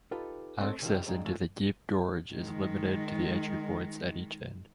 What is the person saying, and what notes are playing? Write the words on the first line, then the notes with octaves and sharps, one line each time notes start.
Access into the deep gorge is limited to the entry points at each end.
D#4 F4 G4 A4 B4
A3 C4 A4 C#5 D#5
C3 D#3 F3 G3
F2 G#2 G#3 D4 A#5
E3 G#3 A3 F4
D#3 G#3